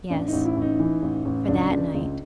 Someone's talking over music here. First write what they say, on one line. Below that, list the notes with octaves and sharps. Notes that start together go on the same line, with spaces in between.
Yes, for that night.
A1 D4
A1 D#4
E4
A1 D#4
E3
A1
A1
C#2 D4
C#2
C#2